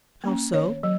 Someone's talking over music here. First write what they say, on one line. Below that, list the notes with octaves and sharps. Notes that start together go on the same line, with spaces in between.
"How so?"
A#3 C#4
D#3 C#5
F#3